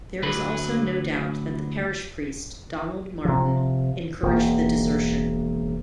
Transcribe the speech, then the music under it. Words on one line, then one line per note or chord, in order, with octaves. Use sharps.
There is also no doubt that the parish priest, Donald Martin, encouraged the desertion.
D2 F#3 B4
C3 F3
E1 A#3